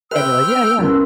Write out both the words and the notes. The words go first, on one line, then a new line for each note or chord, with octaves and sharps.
and you're like, "Yeah, yeah,
B4 C5 E5 G5 E6 F6
C2 C#4 A#4 B4 C6